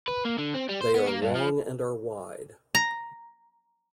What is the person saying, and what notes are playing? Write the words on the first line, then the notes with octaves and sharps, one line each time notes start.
They are long and are wide.
B4
A#3
D3
C4
G3
C5
B3
A#3
G2
F3
A#5